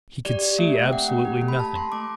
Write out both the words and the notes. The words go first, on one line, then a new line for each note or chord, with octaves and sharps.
He could see absolutely nothing.
G4 D5
G4
A3 E5
A3
G5
C4 F#5
A3
G4
A3
B5
A3 A5
A3 C6
A3 D6